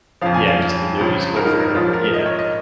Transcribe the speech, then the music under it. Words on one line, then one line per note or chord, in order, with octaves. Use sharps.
Yeah, and just to lose over and over, yeah.
F2 C#3 F3 F5
G#5
F5
C#2 C#3 F3
A#4
D#4
D#4
G#2 F3 F4
A#4
D#5
C#5
D#5